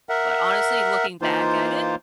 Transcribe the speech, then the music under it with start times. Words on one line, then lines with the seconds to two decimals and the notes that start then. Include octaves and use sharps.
but honestly, looking back at it
0.09 A#4 E5 F#5
1.22 E3 A#3 D#4 F4 C5